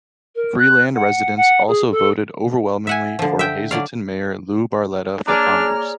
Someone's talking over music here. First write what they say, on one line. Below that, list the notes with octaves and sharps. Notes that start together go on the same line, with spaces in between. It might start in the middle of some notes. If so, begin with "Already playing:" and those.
Freeland residents also voted overwhelmingly for Hazleton mayor Lou Barletta for Congress.
A#4
F#6
F#5
F#5
G#4
A4
E5 F#5 G#5
D3 F3
E5 G5
D3 F#3 D5 F5
A#3 D4 G#4 C#5 D5 A#5 F6